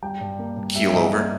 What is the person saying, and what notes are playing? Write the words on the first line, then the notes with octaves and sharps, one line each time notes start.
keel over?
G3 G5
G2
A#3
G2
G3 E5
E5
G2 D#5
A#3